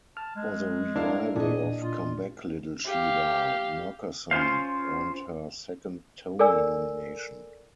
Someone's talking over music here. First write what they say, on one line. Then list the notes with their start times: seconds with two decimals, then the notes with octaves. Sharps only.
For the revival of "Come Back, Little Sheba", Merkerson earned her second Tony nomination.
0.17 A5 F6
0.36 G#3
0.96 D4 E4 A#4 F5
1.36 A#2 D4 G#4 D#5
1.82 F4
2.86 G4 F5
4.31 C#4 F4 C5 F5
6.39 A4 A#4 D5 G#5 E6